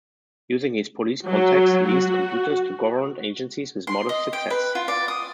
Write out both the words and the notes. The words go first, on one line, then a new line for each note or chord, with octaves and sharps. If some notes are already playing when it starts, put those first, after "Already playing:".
Using his police contacts, he leased computers to government agencies with modest success.
F#3
F#4
C6
D#5
G5
B4
F4
D5
D#6